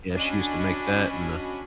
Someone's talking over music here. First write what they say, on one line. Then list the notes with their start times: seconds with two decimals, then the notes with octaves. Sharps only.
Yeah, she used to make that, and the,
0.14 C#4 D4 F#4 D#5 G#5 B5